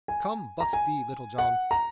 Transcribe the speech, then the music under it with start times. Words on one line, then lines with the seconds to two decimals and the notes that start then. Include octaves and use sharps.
Come, busk thee, Little John!
0.08 G#5
0.60 A#5
0.73 G#5
1.38 F#5
1.71 A#5